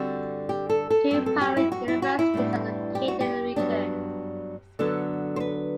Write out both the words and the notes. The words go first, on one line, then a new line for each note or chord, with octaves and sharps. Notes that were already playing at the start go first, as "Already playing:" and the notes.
Two private universities are located in the region.
Already playing: D3 G3 C4 F#4
G4
A4
A4
G2 F#3 C4 A4
A4
G4
E4
F#4
E4
F#4
E4
A2 G3 B3 D4
G4
F#4
G4
G2 F#3 B3 D4
D3 F#3 B3 D4 A4
C5
B4